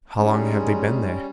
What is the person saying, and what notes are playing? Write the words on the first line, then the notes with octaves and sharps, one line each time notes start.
"How long have they been there?"
G3 G#3 C#4 D#4